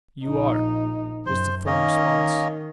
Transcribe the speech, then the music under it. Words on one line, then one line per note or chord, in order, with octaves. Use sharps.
"You are," was the firm response.
A#1 D#4
F#2 C5
D#3 A#3 C#4 D#5